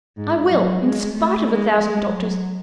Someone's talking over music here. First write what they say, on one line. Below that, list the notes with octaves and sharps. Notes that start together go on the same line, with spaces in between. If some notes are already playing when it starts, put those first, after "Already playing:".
I will, in spite of a thousand doctors.
G#2
F#3
G#3
A3
G#3
G#3
F#3